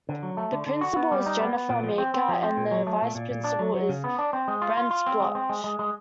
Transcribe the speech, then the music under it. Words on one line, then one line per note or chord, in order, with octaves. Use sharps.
The principal is Jennifer Meeker and the vice-principal is Brent Bloch.
D3
F#3
A3
D3
D3
F#4
B3
G3
D#4
B3
B3
A#2
F3
C4
C4
F3
C4
A#2
F#3
A3
A#2
A#2
A#2
D4
F#3
F#3
C#3
B3
D4
C4
G#3
F4
F4
F4
C4
G#3
C4
G#3
G#3
G#3